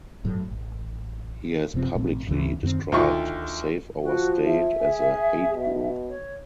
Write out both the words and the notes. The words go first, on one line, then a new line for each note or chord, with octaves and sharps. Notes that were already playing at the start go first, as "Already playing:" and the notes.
He has publicly described Save Our State as a 'hate group'.
G1 A2 F#3
A1
F#1 C3 F3 C4
A1 A#2 A3 C4
G#1 D2 C#3 E3
F#2 D#3 C4
D2 D#3 F4 C#6
F3 F#4
E5
G#4
B2
C#5